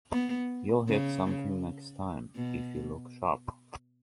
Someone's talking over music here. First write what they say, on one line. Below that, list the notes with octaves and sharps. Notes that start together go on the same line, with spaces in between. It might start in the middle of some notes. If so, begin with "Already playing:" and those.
You’ll hit something next time, if you look sharp.
B3
C#3
B2